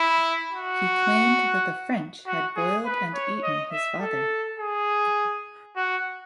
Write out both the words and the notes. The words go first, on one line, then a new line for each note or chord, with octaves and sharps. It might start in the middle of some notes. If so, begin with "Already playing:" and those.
He claimed that the French had boiled and eaten his father.
Already playing: E4
F#4
F#4
G#4
B4
C#5
D#5
E5
A4
G#4
F#4